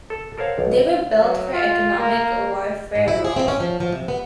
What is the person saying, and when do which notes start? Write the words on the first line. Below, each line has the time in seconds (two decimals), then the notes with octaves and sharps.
They were built for economic-warfare role.
0.10 A4
0.38 A4 A#4 C5 C#5 F5 F#5
0.59 B1
1.18 F#3
1.53 F4
1.98 A#3
2.95 G#2
3.08 E4
3.24 G#4
3.36 C4
3.48 C#4
3.60 F3
3.80 F3
3.92 C3
4.08 B3